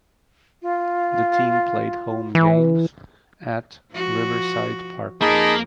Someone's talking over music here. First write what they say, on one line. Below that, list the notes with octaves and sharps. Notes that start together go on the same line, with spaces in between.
The team played home games at Riverside Park.
F4
E3
F3 F#4
F2 A#3 D#4 G#4 A#4 A5 B5